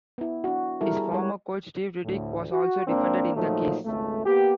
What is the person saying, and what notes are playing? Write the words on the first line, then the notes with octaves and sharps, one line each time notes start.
His former coach, Steve Riddick, was also a defendant in the case.
B3 E4
D4 F#4
G3 E4 A4 A#4
G#4
G3 G#3 C#5 F#5
D2 A2
F#4
G#1 A#3 C4 D4
A#2 F3 F#3 A3 D#4
G#1 C#2 A3
A#3 B3 G4